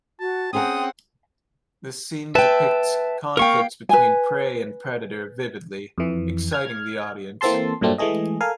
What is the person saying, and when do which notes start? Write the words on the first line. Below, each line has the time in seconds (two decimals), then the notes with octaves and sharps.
This scene depicts conflicts between prey and predator vividly, exciting the audience.
0.20 F#4 A5
0.53 C4 C#4 G#4 A#4 F#5 G5 D#6
2.35 B4 E5 G5 A5
3.37 A#3 A#4 F5 G5 C#6
3.89 B4 G#5
5.98 F2 E3
6.53 F6 G#6
7.41 E3 A#3 C4 A4 A5 C6
7.81 G2 A#2 F#3 A3 C4 D4
7.98 E3 G#3 A3 G#4 D#5
8.41 A4 A#4 F5 G#5